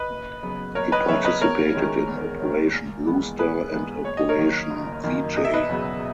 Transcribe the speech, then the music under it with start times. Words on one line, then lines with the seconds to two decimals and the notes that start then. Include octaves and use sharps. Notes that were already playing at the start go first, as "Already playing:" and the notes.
He participated in Operation Bluestar and Operation Vijay.
Already playing: B4 D#5
0.10 F#1
0.43 F#2 C#3 F#3 B3
0.75 F#1 A#4 C#5
0.92 B4 D#5
1.08 F#2 C#3 F#3 B3 C#5 E5
1.25 B4 D#5
1.41 E2 A#4 C#5
1.74 D#3 G#3 C#4
2.07 E2
2.40 D#3 G#3 C#4
2.73 A#1
3.06 G#2 E3 G#3 B3
3.39 A#1 G#4 B4
3.72 G#2 E3 G#3 B3
4.04 F#1 C#5
4.17 D#5
4.29 A#4 C#5
4.38 F#2 D#3 A#3
4.70 F#1
5.04 F#2 D#3 A#3
5.36 E1 D#5
5.45 E5
5.54 B4 D#5
5.69 E2 C#3 F#3 B3